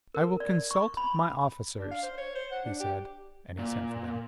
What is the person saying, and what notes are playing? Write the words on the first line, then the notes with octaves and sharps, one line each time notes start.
"I will consult my officers," he said; and he sent for them.
A#4
D5
C#6
B5
D4
F5
C5
C#5
C5
F#5
D4
G4
A#2